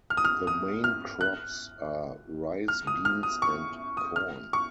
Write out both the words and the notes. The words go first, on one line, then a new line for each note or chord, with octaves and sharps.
The main crops are rice, beans, and corn.
F6
D#6
F6
D#6
F6
F#6
F6
D#6
F6
D#6
C#6
D#6
F6
C#6